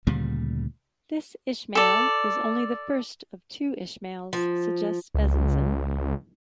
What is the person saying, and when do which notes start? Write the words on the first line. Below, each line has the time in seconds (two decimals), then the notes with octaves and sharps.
This Ishmael is only the first of two Ishmaels, suggests Bezanson.
0.07 D2 A#2 C#3 G3
1.75 A4 D5
4.33 F3
5.15 C#2